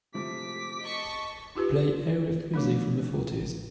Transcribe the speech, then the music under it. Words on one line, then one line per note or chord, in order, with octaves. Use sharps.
Play Arif music from the fourties.
C3 F3 A3 D6 B6
D#5 A5 C#6
D#4 F4 G4 B4
F3 A3 D4